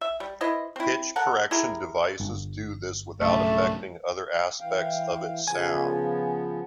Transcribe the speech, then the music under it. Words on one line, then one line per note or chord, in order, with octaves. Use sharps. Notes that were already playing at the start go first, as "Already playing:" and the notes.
Pitch correction devices do this without affecting other aspects of its sound.
E5
G3
E4 B4 C5 D#5
C4 E4
A4 A#4 F#5
E4 G4 G#4 A#4
G1
B1 G2 C#3 G3 A3
E3 F5 G5
C#3 F3 B3 G#5